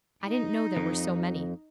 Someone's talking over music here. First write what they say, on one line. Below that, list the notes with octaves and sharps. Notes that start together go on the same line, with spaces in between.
I didn't know there were so many.
D#4
F2